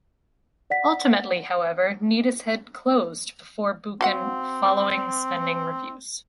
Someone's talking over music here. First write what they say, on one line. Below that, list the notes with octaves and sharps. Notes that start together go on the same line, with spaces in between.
Ultimately, however, Neatishead closed before Buchan following spending reviews.
D5 F#5 B6
C4 F#4 F5 F#5